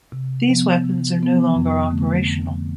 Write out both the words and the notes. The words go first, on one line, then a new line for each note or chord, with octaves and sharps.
These weapons are no longer operational.
C3
F3 B3
C3
F3 B3
F2
D3 A3 C4
F2
D3